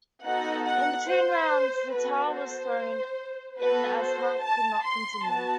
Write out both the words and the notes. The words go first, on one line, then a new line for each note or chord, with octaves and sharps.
In between rounds the towel was thrown in as Hunt could not continue.
B3 D#4 F#4 A4 F#5
F#5
C5
B3 F#4 A4 B4
C5
B3 F#4 A4 B4
C5
A5
C6
B3 F#4 A5